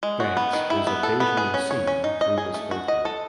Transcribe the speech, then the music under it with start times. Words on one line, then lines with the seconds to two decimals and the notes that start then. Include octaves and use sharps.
Banks is occasionally seen through this filter.
0.03 G#3
0.20 F#4
0.37 B3
0.53 D#3
0.70 E4
0.87 B3
1.03 A4
1.20 B3
1.37 G#4
1.54 C#4
1.71 C#5
1.87 C#4
2.04 D#4
2.21 D#5
2.38 G#4
2.54 A3
2.71 F#4
2.88 D#5
3.05 A4